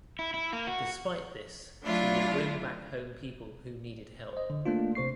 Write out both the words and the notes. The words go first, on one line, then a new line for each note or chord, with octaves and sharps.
Despite this she would bring back home people who needed help.
E4
E4
A#3
F#4
F#3 A3 D4 E4 F4
C5 D#5
D3
A3 A#3 D4 F4
C3 C5 C#6 C7